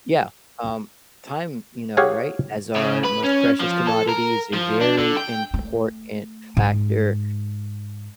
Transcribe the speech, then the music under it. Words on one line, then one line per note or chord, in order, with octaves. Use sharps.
Yeah, um, time, you know, right, as our most precious commodity is a very important factor,
G4 G#4 C#5 F5 F#5 G#5
C#3
B4
C#4
F3
A4
A#4
F3
D4
D3
G5
A3
G#2